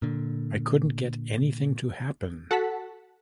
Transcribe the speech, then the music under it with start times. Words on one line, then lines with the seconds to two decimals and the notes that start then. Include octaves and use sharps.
I couldn’t get anything to happen.
0.02 A#2 D3
2.51 F#4 A4 F#5 A5 B6